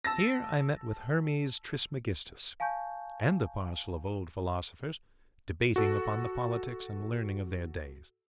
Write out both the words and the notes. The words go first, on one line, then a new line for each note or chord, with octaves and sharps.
Here I met with Hermes Trismegistus, and a parcel of old philosophers debating upon the politics and learning of their days.
A5 E6 A6 A#6
F5 G#5 A5 C#6 G6
F#4 A4